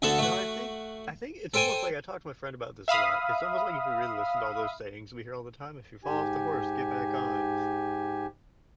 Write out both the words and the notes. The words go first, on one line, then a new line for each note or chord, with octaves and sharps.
No, I think I think it's almost like I talked to my friend about this a lot, It's almost like if you really listen to all those sayings we hear all the time, "If you fall off the horse, get back on",
D2 D3 F#4 A4 A5
A3 F#4
A4 C5 G5 G#5
E5 F5 B5 D#6
G#2 G4 G#5